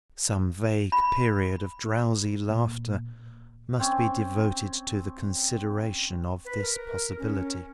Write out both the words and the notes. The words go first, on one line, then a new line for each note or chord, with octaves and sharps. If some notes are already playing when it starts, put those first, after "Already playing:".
Some vague period of drowsy laughter must be devoted to the consideration of this possibility.
B5
A#2
C4 C#4
B4
A#4
C#4